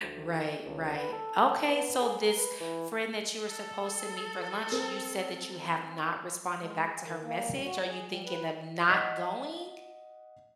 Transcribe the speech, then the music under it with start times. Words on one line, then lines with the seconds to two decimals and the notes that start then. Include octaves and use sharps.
Right, right, okay, so this friend that you were supposed to meet for lunch, you said that you have not responded back to her message, are you thinking of not going?
0.02 D2
0.65 C#2
0.98 B4
1.13 A4
1.67 B3
2.02 G#4
2.21 A#4
2.38 B4
2.60 E3
3.46 A4
4.72 C4 A#4 C5
6.60 G#3
6.86 G#4
7.00 D#3
7.22 A#3
7.48 G3
7.63 F#4
7.86 G#4
8.07 G3
8.25 B4
8.89 D#5 F#5 B6 C7